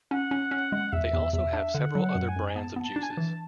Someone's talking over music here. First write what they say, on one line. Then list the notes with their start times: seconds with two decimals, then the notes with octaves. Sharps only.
They also have several other brands of juices.
0.11 C#4 F#5
0.31 C#4
0.51 C#4
0.72 G#3
0.93 E2 E5
1.13 E2
1.33 E2 E5
1.53 D4
1.74 D3 F#5
1.95 F#3
2.02 F#5
2.15 F#2
2.29 G#5
2.36 F#2
2.49 G#5
2.56 B3 A5
2.76 B3
2.84 A5
2.96 D4
3.03 G#5
3.10 A5
3.17 E3